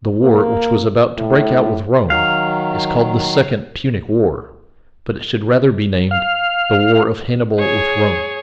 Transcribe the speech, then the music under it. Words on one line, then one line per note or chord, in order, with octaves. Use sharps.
The war which was about to break out with Rome is called the second Punic war, but it should rather be named the war of Hannibal with Rome.
A#3
A2
D#3 F#3 F5
F5
G#4 C#5